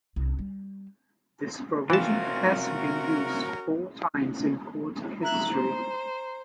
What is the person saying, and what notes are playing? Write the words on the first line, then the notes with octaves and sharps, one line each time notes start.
This provision has been used four times in Court history.
C2
G3
C3 E3 C#4 F4 F#4 A#4 A5
E4 A#5 F#6
C5